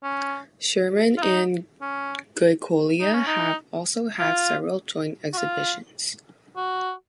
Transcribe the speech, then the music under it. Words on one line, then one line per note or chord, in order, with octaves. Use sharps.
Sherman and Goicolea have also had several joint exhibitions.
C#4
F4
D#4
C#4
D#4
C#4
D#4
F4
F#4
F4
F#4